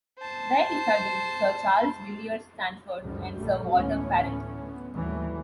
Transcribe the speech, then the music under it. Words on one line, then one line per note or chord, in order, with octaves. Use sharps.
There he studied with Sir Charles Villiers Stanford and Sir Walter Parratt.
C5 A5
C#2 F#2 D3 F3 G3
A#1 G3 A3
D2 A2 E3 B3 C#4
B3
D#2 A2 E3 F#3 G3 A3